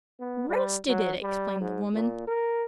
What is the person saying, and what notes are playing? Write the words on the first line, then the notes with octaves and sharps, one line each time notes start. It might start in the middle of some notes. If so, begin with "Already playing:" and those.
'Roasted it!' explained the woman.
B3
G3
F#3
G3
G#2
A#2
A#4